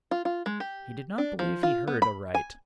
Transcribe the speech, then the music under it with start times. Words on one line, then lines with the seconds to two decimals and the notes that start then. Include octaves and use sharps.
He did not believe he heard aright.
0.11 F4
0.25 F4
0.46 G#3
0.60 G4
1.18 D4
1.39 F3
1.63 F4
1.87 B3
2.02 B5
2.35 G#5